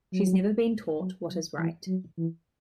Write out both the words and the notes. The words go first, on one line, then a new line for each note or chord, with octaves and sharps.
She’s never been taught what is right.
F#3
F#3
F#3
E3
F#3
E3